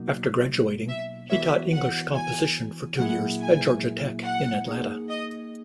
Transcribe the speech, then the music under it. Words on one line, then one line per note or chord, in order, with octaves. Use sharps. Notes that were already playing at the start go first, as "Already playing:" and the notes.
After graduating, he taught English composition for two years at Georgia Tech in Atlanta.
Already playing: B2 F#3 A#3 D#4
E5
E3 B3 F#4 A#4 C#5 E5
F#5
G#5
A#2 F#3 A#3 E4 G#4 F#5
G#5
F#5
A#3 D#4 G#4
D#5